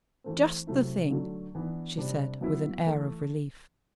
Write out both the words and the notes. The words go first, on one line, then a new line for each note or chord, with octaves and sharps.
"Just the thing!" she said, with an air of relief.
E3 A3 C4
C3 F#3 A3 E4
D3 F#3 A3
E3 B3 D4
C3 G3 D4
F#3 B3 E4
E3 A3